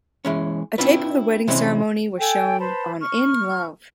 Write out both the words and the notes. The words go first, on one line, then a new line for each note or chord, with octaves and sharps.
A tape of the wedding ceremony was shown on "Inn Love".
E3 G#3 C#4
C4 D4 E4 F4 B4
C3 E3 G#3 C4 C#4
A4 G5 G#5
B4 C5 A5 B5
C#6 F6